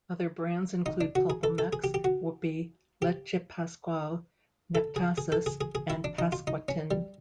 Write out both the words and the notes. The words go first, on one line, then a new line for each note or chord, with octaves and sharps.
Other brands include PulpaMex, Woopy, Leche Pascual, Nectasis and Pascuatin.
D#4
D4
F#4
G#4
A4
A4
G#4
G4
G4
F#4
G4
A4
G#4
G#4
A4
G#4
G#4
G#4
E4
D4
D#4
F4
D#4
C#4
G3